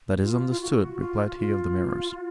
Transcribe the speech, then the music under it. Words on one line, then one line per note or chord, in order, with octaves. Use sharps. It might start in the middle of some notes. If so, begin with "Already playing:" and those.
"That is understood," replied he of the Mirrors.
F4
F4
F#4
F4
F4